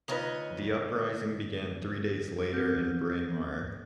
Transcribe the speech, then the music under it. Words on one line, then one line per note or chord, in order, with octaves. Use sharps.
The uprising began three days later in Braemar.
D2 D#4 F4 B4 C#5 D#5
C4 G6